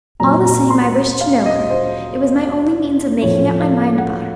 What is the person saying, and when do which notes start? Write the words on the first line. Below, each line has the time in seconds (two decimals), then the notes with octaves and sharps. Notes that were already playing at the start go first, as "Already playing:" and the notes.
All the same, I wished to know her; it was my only means of making up my mind about her.
0.20 A#2 F#3 C4 A#5
0.46 A#5
0.70 C6
1.21 F5
1.46 D#5
1.70 C5
3.22 A2 F3 C4 C#5
3.60 F5
3.98 F#5